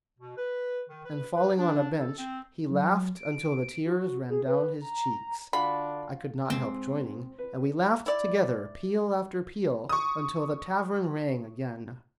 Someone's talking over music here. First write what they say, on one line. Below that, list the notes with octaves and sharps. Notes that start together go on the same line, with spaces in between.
And falling on a bench, he laughed until the tears ran down his cheeks. I could not help joining, and we laughed together, peal after peal, until the tavern rang again.
B2
B4
D#3
B4
B4
D4
A4
C4
F#3
D7
F#4
G#4
B4
A#5
D3 D4 F4 F#4 B5
G#2 C4
B4
E4 D5
C#6 D#6